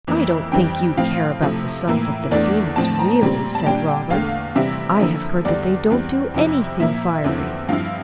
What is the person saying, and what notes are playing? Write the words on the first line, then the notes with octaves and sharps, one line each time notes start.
'I don't think you'd care about the sons of the Phoenix, really,' said Robert. 'I have heard that they don't do anything fiery.
F2 E3 A#3 E4
F2 E3 G3 C4 G5
A2 F3 C4 F5
C3 F3 A3 E4
A2 E3 A#3 E4
E2 E3 A3 D4 D5
A2 F3 C4 A5
A#5
A#2 G3 C4
A5
A#2 G3 D4 G5
E2 D3 A3 F5
C3 E3 G3 C4 E4 E5
D3 F3 A#3 E4
E2 D3 G3 D4 D5
E2 E3 G3 C4
F2 C3 F3 C4 E4
A#2 F3 A#3 E4 E5
E2 D3 F3 C4 E4
G2 F3 C4 E4 F5